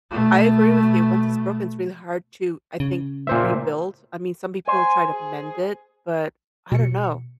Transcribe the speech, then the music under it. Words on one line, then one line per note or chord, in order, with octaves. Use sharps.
I agree with you. Once it's broken, it's really hard to, I think, rebuild. I mean, some people try to mend it, but I don't know.
B2 A3
C#3
A#2 C5 E5
C5 G#5
G#4
B2 C#7